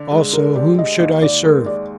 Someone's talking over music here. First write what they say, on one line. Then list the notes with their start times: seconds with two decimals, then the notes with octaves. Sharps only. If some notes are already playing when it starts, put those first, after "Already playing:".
Also whom should I serve?
Already playing: D3 D4
0.12 G#3
0.33 A#4
0.55 G4 D5
0.79 D#5
1.00 D#2 D#5
1.22 D5
1.44 G#3 A#4
1.66 D5